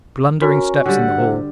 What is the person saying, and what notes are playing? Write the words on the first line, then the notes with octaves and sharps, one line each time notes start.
Blundering steps in the hall.
C#4 F#4 A#4
D3 G3 F#5
C3